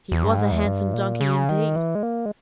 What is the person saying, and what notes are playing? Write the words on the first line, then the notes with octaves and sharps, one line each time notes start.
He was a handsome Donkey indeed!
E2
G2
G#2
E2
G2
A#2
C#3
D#3
E3
G#3
A#3
G#3